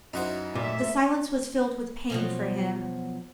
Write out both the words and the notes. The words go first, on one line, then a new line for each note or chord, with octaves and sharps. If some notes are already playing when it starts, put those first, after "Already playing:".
The silence was filled with pain for him.
F#2 D#4 E4 F#4 C5
A#2 A3 E5
B2 F3 F#3